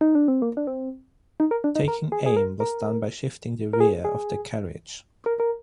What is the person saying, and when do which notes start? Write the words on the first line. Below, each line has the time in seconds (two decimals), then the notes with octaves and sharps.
Taking aim was done by shifting the rear of the carriage.
0.01 D#4
0.15 D4
0.28 C4
0.42 A#3
0.57 D4
0.67 C4
1.40 D#4
1.51 A#4
1.64 D4
1.75 D#4
1.88 A#4
2.12 G#4
2.26 G#4
2.37 A#4
2.60 A#4
3.73 A#4
3.80 G#4
4.05 G#4
5.26 A#4
5.40 A#4